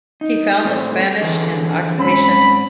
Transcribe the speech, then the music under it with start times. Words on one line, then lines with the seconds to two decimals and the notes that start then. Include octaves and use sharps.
He found the Spanish in occupation.
0.21 D#4
0.65 A2 A3 C4
1.21 D3 E3 G#4
1.98 G#2 C4 C#4 B5